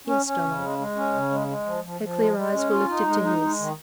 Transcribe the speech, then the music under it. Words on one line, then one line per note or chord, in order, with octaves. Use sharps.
"Yes, Donald." Her clear eyes were lifted to his.
C#4
C#4
C#3
G#3
G#3
C#4
C#3
G#3
G#3
F3
F3
F3
G#3
G#3
C#4
F4
D#4
G#3
D#4
G#3
D#3